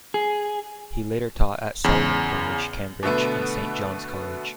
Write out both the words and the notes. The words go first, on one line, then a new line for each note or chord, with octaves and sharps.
He later taught at Selwyn College, Cambridge and Saint John's College.
G#4
E2 C#3
B2 D3 A3 B3